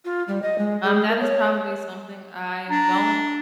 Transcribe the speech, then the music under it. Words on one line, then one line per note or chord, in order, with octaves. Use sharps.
Um, that is probably something I don't
F4
G3
D#5
G#3
G#4
A#4
C#5
D4 A#5